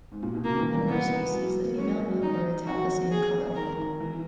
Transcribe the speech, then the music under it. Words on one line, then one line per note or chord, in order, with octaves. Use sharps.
In most species, the female and male birds have the same color.
G#2
A#2
B2
C#3 A#3
D#3
E3
E3
B3
F#3
A#3
G#3 C#4
F#3
D#3 D#4
D#3 F#4
G#4
D#3 A#4
D#3
E3